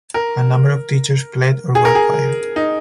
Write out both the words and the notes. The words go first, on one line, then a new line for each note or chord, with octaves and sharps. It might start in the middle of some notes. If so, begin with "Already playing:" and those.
A number of teachers fled or were fired.
A#4
G#4
A#4
G#4
D#4